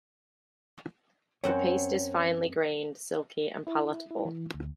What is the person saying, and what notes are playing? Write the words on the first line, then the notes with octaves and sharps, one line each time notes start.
The paste is finely grained, silky and palatable.
F#2 C4 C#5 F#5
E4
E4
E3
D2